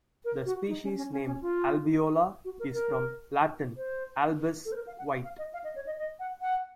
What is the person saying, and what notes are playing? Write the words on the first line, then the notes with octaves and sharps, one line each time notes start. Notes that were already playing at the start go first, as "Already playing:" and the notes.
The species name "albeola" is from Latin "albus", "white".
A#4
F#4
D#4
C#4
C#4
C#4
C#4
F4
F#4
A#4
A#4
C5
A4
C5
A#4
F5
F#5
F5
F5
D#5
F5
D#5
C#5
D#5
D#5
F#5
F#5